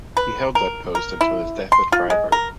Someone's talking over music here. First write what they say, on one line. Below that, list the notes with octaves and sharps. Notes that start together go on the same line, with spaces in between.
He held that post until his death at Freiburg.
B4
A#4
A#4
E4
C6
F4
G#3
A#4